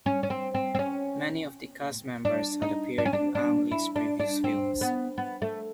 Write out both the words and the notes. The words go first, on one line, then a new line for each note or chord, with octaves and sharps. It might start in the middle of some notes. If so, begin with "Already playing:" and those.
Many of the cast members had appeared in Ang Lee's previous films.
C#4
C#4
C4
C4
C4
C#4
D4
D#4
D4
C#4
D4
D4
E4
D4
D4
C4
B3
B3
A3